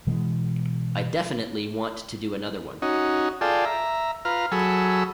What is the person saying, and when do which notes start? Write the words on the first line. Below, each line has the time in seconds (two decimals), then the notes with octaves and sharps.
I definitely want to do another one.
0.07 B2 E3 G#3
2.82 C#4 D#4 F#4
3.41 F4 G#4 A4 D5 G5 A5
3.65 E5 A#5
4.25 F4 B4 A#5 F6
4.52 F#3 G#4 A4 B5 C#6 E6